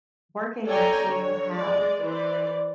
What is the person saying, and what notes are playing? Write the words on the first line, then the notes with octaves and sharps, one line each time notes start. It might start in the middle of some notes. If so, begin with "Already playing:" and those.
working makes you have
A4 C#5 D5 G5 G#5 A#5
D3 C#5
G#3 D5
E3 C5 D5